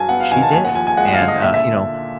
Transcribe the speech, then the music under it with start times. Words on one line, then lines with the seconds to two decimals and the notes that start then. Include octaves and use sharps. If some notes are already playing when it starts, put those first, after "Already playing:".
she did, and, uh, you know,
Already playing: G2 F#3 G#5 A5
0.09 B3 F#5
0.20 F5
0.32 D#3 G#5
0.42 A5
0.53 D#2 G#5
0.65 F#5
0.75 F3 G#5
0.87 G#5
0.97 G#3 F#5
1.08 F#5
1.13 F5
1.21 D3
1.28 D#5
1.42 A#2 E5
1.54 E5